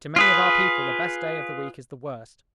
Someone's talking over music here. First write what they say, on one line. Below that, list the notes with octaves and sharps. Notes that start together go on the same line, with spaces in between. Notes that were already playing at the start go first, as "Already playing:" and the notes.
To many of our people the best day of the week is the worst.
F4 G#4 B4